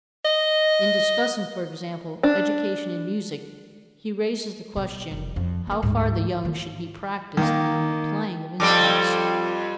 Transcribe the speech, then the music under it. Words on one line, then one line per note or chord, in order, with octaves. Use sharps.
In discussing, for example, education in music he raises the question how far the young should be practiced in the playing of instruments.
D#5
D4
B2
F1
F2
A#3 B3
D2 G#2
D#3 A#3
D#3 A#3
F2 G3 C4 D6 D7